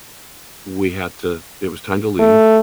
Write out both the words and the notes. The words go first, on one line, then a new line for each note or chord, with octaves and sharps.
we had to it was time to leave,
A3